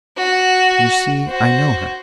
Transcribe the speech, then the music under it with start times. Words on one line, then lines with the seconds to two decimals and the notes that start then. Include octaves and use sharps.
You see I know her.'
0.17 F#4
1.27 F#4 C5